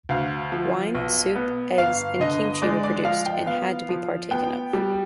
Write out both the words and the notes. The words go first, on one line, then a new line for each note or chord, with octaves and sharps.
Wine, soup, eggs, and kimchi were produced, and had to be partaken of.
D2 F5
F3
B1
B3
G1 F5
D3 D#5
G#3 D5
D5
F3 F5
G5
B3 F5
F3
B3 G5
G3